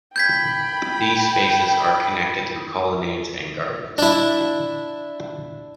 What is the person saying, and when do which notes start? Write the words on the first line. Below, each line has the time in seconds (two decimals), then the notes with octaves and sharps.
These spaces are connected through colonnades and gardens.
0.16 G5 B5 G6 G#6 B6
3.98 D4 E4